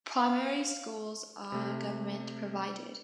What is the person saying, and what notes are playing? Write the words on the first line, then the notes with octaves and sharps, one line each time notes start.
Primary schools are government-provided.
F5
C3 A3